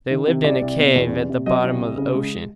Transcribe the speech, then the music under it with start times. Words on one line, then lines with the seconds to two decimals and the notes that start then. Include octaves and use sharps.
They lived in a cave at the bottom of the ocean.
0.11 D#3
0.27 C3
0.44 C2 D5
0.62 C2
0.78 B2
0.96 E2
1.12 C3
1.29 C3
1.46 F#3 D#5
1.64 C2
1.80 C2
1.97 C#3
2.14 G#3